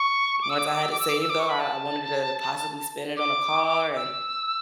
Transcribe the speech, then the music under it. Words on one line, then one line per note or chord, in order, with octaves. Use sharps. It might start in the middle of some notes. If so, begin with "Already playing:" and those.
once I had it saved though, I I wanted to possibly spend it on a car and,
Already playing: C#6
D6
E6
D6
E6
D6
E6
D6
E6
D6
E6
D6
C#6
B5
A5
D6
E6